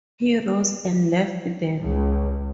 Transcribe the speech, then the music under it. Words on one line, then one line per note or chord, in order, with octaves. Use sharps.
He rose and left them.
C#2